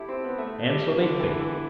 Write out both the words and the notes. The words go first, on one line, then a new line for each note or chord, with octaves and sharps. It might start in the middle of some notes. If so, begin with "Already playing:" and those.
And so they failed.
Already playing: E4 G4 A4
C4
B3
A3
G3
D3
E3
E3